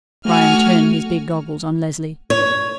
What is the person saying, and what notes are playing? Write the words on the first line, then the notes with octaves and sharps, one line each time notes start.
Bryan turned his big goggles on Leslie.
A3 F#4 G#5 F6
C#5